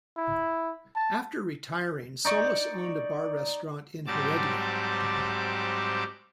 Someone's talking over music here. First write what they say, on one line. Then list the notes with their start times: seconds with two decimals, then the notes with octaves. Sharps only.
After retiring, Solis owned a bar-restaurant in Heredia.
0.17 E4
0.96 A5
2.25 D#4 D5 C#6
4.07 G#2 F#3 G3 C4 A5 D6